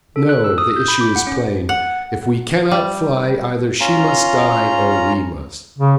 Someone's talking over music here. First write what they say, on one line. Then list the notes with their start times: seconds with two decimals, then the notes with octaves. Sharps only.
No, the issue is plain; if we cannot fly, either she must die or we must.
0.16 A4
0.29 F#6
0.44 E6
0.58 D#6
0.76 G6
0.88 B5
1.01 D6
1.16 F#5
1.27 C#4
1.69 F#5
2.71 G3
3.80 C#4 F4 A#5
5.78 C#3